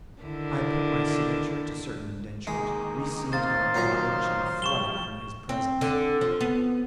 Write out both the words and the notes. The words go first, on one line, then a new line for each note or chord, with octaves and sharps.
I put my signature to certain indentures, received my pottage, and fled from his presence.
D3 D#3 E4
D#3 G#3 A#3
C5 F5 A6
A#2 F#3 A#5
F3 G3 C#6 E7 G7
C4
D3
F3
B3